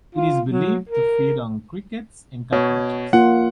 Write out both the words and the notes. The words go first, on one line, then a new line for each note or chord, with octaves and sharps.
It is believed to feed on crickets and cockroaches.
F4
F#3
A#4
B2 C#5
A#3 F4 F#5